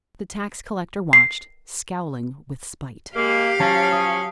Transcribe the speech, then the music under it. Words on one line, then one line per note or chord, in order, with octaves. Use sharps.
The tax-collector watched, scowling with spite....
C7
G#3 A#3 G4 F5
F3 F#3 C#4 A5 A#6
D#6